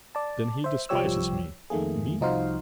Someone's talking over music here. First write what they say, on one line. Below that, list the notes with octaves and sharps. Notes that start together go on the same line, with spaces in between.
"Then he despises me, me?"
D5 A5
C5 E5
C2 F3 G3 G4 C#5 E6
F2 D#3 A3 A#3 G#4
C2 F3 D#4 F#4 C5 F5